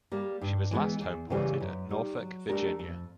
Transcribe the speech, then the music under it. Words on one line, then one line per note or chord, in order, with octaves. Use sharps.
She was last homeported at Norfolk, Virginia.
G3 A#3
G2
E3 G#3 B3
E2
C#3 E3 G3
F#2
D#3 G3
F#3
A3 D4 G4 A#4
F2